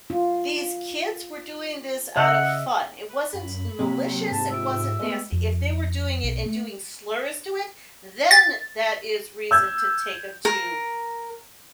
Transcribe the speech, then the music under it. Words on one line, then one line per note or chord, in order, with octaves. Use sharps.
these kids were doing this out of fun. It wasn't malicious, it wasn't nasty." If they were doing it and doing slurs to it, then that is reason to take 'em to,
F4
C#3 D#5 E5 F#5
B4
F#2 B5
C3 F#3 A#3 C4 A#5
G#2 A5
G#3 F4 E5 D7
G#3 A3 B3 B4 D#5
F2
B1
A3
A6
E6 G6 G#6
A#4